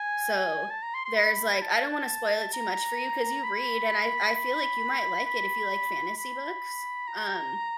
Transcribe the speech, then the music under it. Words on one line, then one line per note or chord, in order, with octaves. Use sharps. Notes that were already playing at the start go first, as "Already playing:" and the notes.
so, there's, like I don't wanna spoil it too much for you 'cause you read, and I I feel like you might like it if you like fantasy books, um,
Already playing: G#5
A5
A#5
C6
C6
B5
A5
A#5
B5
B5
B5
B5
A#5